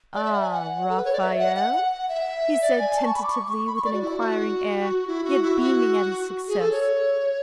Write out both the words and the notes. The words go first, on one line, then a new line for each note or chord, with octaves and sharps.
'Ah, Raphael?' he said, tentatively, with an inquiring air, yet beaming at his success.
D5
E5
F#5
G#5
F#5
A4
B4
C#5
D5
E5
F#5
F#5
F#5
F#5
E5
D5
G#5
A5
C#6
B5
D6
C#6
C#6
B5
C#6
D5
F#4
E4
F#4
E4
F#4
E4
F#4
G#4
A4
C#5